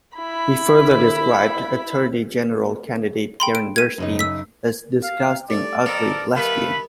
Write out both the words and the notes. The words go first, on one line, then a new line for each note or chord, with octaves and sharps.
He further described attorney general candidate Karen Burstein as a "disgusting, ugly lesbian".
E4 B5
G5 B5 C6
D7
G#6 D#7
F#2 C#3 D#4
E6 B6
F5
G3 A3 D5
F3 B3 C4 A4 A#4
D#3 G3 A3 B3 B4 F5 B5